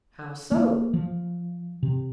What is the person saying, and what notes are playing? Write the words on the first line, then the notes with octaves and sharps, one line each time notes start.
How so?
A#3
F3
C3